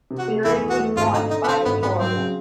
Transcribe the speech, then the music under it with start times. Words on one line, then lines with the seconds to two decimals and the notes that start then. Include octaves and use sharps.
The series was won by Victoria.
0.11 C3
0.19 F#4
0.28 A3
0.45 E2 E4
0.62 E2
0.70 F#4
0.79 A3
0.97 G#1 F4
1.13 D3 D#4
1.30 D3 D#4
1.44 B3
1.48 D3 C4
1.65 G#1 B3
1.82 G#1 B3
1.99 F#3 C4
2.16 C#3